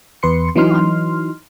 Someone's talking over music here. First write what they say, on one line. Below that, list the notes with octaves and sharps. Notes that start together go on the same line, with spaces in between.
Come on,
E2 B4 C6 C#7
E3 F#3 D#4 C6 F6